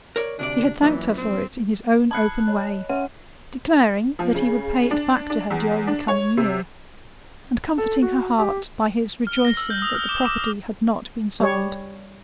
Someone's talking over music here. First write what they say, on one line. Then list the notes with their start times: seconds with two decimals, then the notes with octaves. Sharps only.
He had thanked her for it in his own open way, declaring that he would pay it back to her during the coming year, and comforting her heart by his rejoicing that the property had not been sold.
0.16 A#4 C#5 D5
0.39 D2 C3 D4 D5
0.82 F#2 A#2 E3
1.18 C4
2.11 A5 B5 F#6 G#6 C#7
2.48 C#5 D#5
2.89 C#4 E5 F#5
4.19 F3
4.35 C#3
4.91 D4
5.30 D4
5.50 E2
5.87 D4
6.08 C#5
6.37 C3
7.78 A4
8.02 F#4
8.38 G4
9.27 F6
9.45 A#6
9.57 E6
9.70 G6
9.82 D#6
9.95 F6
10.09 D6
10.26 D6
10.39 D#6
11.40 G3 C#5